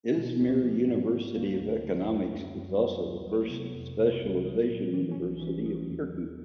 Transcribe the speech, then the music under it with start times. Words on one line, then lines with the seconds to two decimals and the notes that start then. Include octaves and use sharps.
Izmir University of Economics is also the first specialization university of Turkey.
0.16 B2 G#3
0.40 C#2 C#4
0.63 F3 C4
0.88 G#2 B3
1.12 G#2 A#3
1.35 D2 A#3
1.60 D2
1.84 D2
2.08 F#2
2.31 F#2
2.55 F#2
2.78 F#3 B3
3.02 D2
3.27 F#3
3.44 A#3
3.50 C3 B3
3.75 F2
3.98 C3
4.22 C2
4.47 F#3
4.70 A#2
4.93 E3 C4
5.12 C#4
5.17 A#1
5.40 E3 D4
5.47 C#4
5.66 F#3
5.89 D#2
6.13 D#2